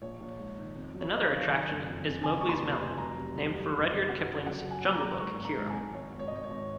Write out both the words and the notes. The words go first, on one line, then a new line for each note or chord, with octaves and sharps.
Another attraction is Mowglis Mountain, named for Rudyard Kipling's "Jungle Book" hero.
A#1 C#5
A#1
G#2
D#3
F2
F#3
C#5
F#3 D#5
F5
D#3
D#3 G#5
F#1
F2
F2
C#3 G#5
D#2 C#6
C6
F1
C6
F1
F#3 A#5
C3
C2
C2
F#1
F#3
F#3 F#5
C#3
F#3 F#5
F#2
G#5
A#3
A#5
A#3
G#2 C#6
G#1
A#5
G#2
G#5
G#1
G#1 C#5
G#1
C#5
D#5
G#1 C#5
C#5
G#1